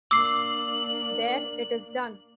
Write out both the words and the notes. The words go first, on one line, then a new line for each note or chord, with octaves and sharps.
There - it is done.
A#3 D4 D6 E6 C7 F#7